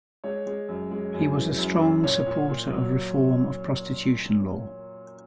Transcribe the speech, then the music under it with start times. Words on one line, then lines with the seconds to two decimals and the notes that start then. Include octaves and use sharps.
He was a strong supporter of reform of prostitution law.
0.24 G#3 C#5
0.47 G#3
0.68 F#2
0.91 G#3
1.14 F#2
1.36 E3
1.58 F#2
1.81 F#2
2.03 A#2 C#5
2.26 A#2
2.49 A#2
2.71 F#3